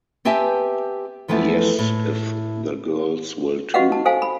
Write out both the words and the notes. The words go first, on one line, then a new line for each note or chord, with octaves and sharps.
Yes, if the girls will too.
B3 C4 G4 E5 G#5 A5
F2 E3 F3 A3 B3 E4
A2
F#4 G4 B4 D#5 F5 F#5
A5
A4 C5 F5 G#5
B5